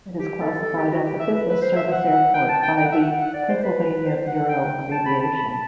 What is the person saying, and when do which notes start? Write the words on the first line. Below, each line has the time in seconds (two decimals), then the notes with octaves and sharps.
It is classified as a business service airport by the Pennsylvania Bureau of Aviation.
0.19 G4
0.41 A4
0.62 A4
0.77 G4
0.91 F#4
1.05 G4
1.20 E5
1.34 B4
1.48 B4
1.62 C5
1.76 E5
1.91 F#5
2.34 G5
2.49 A5
2.63 G5
2.77 G5
2.85 F#5
2.92 E5
3.00 F#5
3.20 F#5
3.34 D5
3.49 C5
3.63 B4
4.06 C5
4.27 F#5
4.49 G5
4.92 A5
5.06 B5
5.20 A5
5.35 B5
5.49 A5